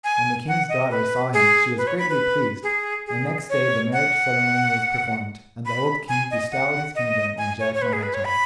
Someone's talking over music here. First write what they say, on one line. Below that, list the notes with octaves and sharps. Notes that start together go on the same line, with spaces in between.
When the King's daughter saw him she was greatly pleased, and next day the marriage ceremony was performed, and the old King bestowed his kingdom on Jack my Hedgehog.
G#5
F#5
D#5
B4
G#4
B4
C#5
B5
B4
G#4
G#4
C#5
F#5
B5
G#5
D#5
F#5
D#5
G#5
C#5
C#5
B4
G#4
B4
C#5
B5